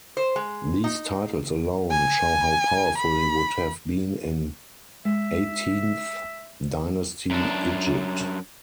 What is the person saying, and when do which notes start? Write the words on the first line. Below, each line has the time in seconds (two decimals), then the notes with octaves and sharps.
These titles alone show how powerful he would have been in Eighteenth Dynasty Egypt.
0.17 C5
0.36 G#3
0.84 D#4
1.91 G#5
2.97 B5
5.05 G#3 E5
7.31 F#2 D4